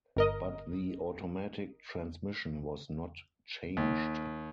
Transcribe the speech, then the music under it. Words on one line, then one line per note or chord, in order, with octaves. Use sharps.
But the automatic transmission was not changed.
G1 A#4 D#5
D#2